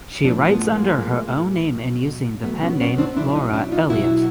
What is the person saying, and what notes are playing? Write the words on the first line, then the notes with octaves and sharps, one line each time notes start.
She writes under her own name and using the pen name "Laura Elliot".
A2 F3 C4 D4
A3 B3
G#3 A#3
A2 F3
B2 F#3
B2 F#3 A3 B3
B3 C#4
B3 C#4
C4 D4
B2 F#3 D4 E4
D4
C#4 D#4
D4 E4
D#4 F4
B2 F#3 E4 F#4